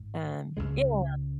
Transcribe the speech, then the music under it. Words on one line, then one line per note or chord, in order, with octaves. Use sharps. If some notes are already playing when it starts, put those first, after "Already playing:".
Um, yeah.
Already playing: G#1 G#2
C#2 C#3 G#3